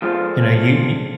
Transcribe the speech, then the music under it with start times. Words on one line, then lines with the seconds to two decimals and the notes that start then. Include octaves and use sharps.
you know you you
0.02 F3 G#3 F4 A4 C5 F5